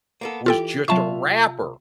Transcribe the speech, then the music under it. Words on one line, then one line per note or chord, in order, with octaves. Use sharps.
was just a wrapper,
A#3 B3 A4
E3 F4 G4 A4 G5
C3 F#3 F4 E5 A5 C#6